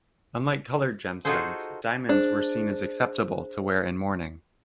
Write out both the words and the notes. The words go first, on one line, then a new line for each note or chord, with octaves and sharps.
Unlike coloured gemstones, diamonds were seen as acceptable to wear in mourning.
D#4 F4 F#4 G#4 A4 C5
D4 G#4 C5